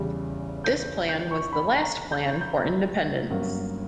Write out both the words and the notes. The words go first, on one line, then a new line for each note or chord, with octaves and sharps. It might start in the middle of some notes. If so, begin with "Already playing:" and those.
This plan was the last plan for independence.
Already playing: E2 C#3 E3 G3
G6
G6
C#6
B5
A#5
G6
G6
G1 G2 F#3 A#3 C#4